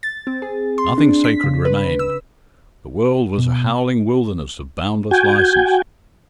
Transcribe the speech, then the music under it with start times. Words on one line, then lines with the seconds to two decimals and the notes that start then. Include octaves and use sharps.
Nothing sacred remained. The world was a howling wilderness of boundless license.
0.03 A6
0.27 C4
0.42 G#4
0.78 C6
0.98 D4
1.24 B6
1.44 C#3
1.65 B4
1.99 E6
3.38 B2
5.11 F#4 G5 G#5